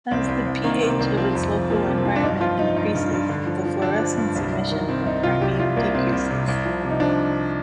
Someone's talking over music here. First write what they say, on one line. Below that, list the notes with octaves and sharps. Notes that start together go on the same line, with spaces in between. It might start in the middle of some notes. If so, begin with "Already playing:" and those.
As the pH of its local environment increases, the fluorescence emission of harmine decreases.
C2 C4
C2
C2
D#3 A#3
C3 C4
C2 C4
F3 C4
F2
F3
F3 A#3
C3
C4
F3
D4
G2 D#4
F3 F4
F3 D#4
G2 D#4
G2
G2
D3
F3
F3
D3 D4
F3
G2
C2
C2
D#3
C2 C4
C2 D#4
C3 F4
C2 G4
C2 F4
C2 A#3
C2 C4
C2
C3
C2
F3
C3
D#4
F3 D4